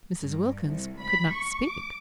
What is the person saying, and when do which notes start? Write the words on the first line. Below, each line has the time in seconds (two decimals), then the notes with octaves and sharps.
Mrs. Wilkins could not speak.
0.22 G2
0.68 C2
1.02 B5
1.34 C#6
1.68 D6